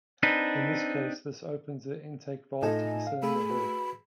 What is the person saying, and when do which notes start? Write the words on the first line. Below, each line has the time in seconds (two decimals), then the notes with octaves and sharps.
In this case this opens the intake valve to the cylinder head.
0.23 C4 D4 D#4 B4
2.62 A2 D#4 F4 A4 D#5 G#5
3.07 F5
3.23 A3 G#4 B5
3.50 F#4 B4